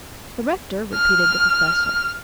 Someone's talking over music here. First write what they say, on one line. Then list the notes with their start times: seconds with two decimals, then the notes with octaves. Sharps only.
"The rector," repeated the Professor.
0.94 F6